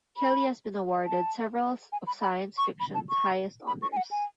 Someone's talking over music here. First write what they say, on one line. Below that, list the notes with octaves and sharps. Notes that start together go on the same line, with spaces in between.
Kelly has been awarded several of science fiction's highest honors.
B5
A5
G#5
B5
B5
C#6
B5
A5
C#6
B5
C#6
G#5
F#5
G#5